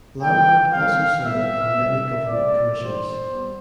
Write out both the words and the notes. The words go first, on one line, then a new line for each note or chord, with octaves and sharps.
Lambert also served on many government commissions.
A2 G3 B3 G5
A2 G3 C4 F5
B2 G3 B3 E5
D3 G3 C4
C3 G3 C4 D5
A2 E3 G3 C5
G3 B3